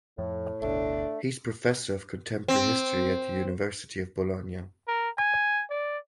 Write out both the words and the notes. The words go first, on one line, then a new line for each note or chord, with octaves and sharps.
He is professor of contemporary history at the University of Bologna.
F2 A2 F3
G1 D2 B2 A3 D4
C4
A#4
G#5
D5